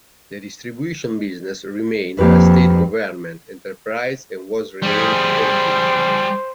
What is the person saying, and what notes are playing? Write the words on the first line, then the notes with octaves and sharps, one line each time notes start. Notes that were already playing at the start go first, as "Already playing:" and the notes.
The distribution business remained a state government enterprise and was renamed Ausgrid.
F2 A#3 G4 B4
G3 G#4 C5